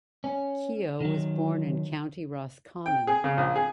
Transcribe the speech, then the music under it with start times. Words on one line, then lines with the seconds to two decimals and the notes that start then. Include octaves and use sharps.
Keogh was born in County Roscommon.
0.24 C#4
1.01 D#3 F#3
2.86 G5
3.07 G#4
3.24 C#3
3.37 A#1
3.56 G#4